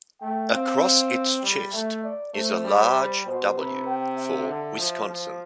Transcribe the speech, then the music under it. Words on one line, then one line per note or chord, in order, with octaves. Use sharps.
Across its chest is a large W, for Wisconsin.
A3 G5
C4 F5
G3
A3 E5
D5
A3 C5
G3
B2 C5
C3 B4
G5
E5
D3
F3
F3